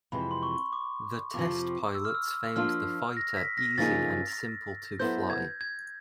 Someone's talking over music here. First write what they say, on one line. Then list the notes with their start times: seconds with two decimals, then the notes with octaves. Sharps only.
The test pilots found the fighter easy and simple to fly.
0.12 F2 C3 E3 G#3 B5
0.31 C6
0.43 C#6
0.73 D6
1.34 F2 C3 F3 D6
1.95 E6
2.05 F6
2.15 E6
2.56 F3 A#3 D4 F4 F6
3.17 A#6
3.37 B6
3.58 A#6
3.78 C#3 F3 A#3 D#4 G#4 A6
4.99 F#3 B3 E4 A4 C5 G6
5.30 G#6
5.61 G#6